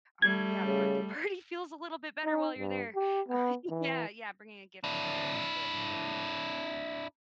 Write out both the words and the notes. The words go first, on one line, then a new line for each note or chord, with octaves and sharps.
um yeah, the birthday party feels a little bit better while you're there. Uh, yeah. yeah, bringing a gift is always good.
G3 A3 G#6
C#3
D#4
G2
G4
B3
E3
D4 E4